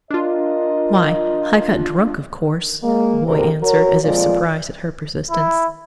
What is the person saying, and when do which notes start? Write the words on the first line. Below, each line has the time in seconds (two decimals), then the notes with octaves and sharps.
"Why, I got drunk, of course," the boy answered, as if surprised at her persistence.
0.10 D4 F4 A#4 D#5
2.83 G#3 A#3
3.25 D2 C3 A#4
3.63 F#4 A#4 C#5
4.02 F2 A#2 F3 G#3 F4 D5
5.31 E4